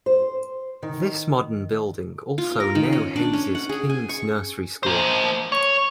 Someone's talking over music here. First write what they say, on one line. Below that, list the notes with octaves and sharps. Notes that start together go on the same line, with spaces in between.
This modern building also now houses King's Nursery School.
C5
D#3
F4
A#4
D#3
C#4
D4
C#4
F#5
G#4
G#5
C#6
A#3 C5
C#5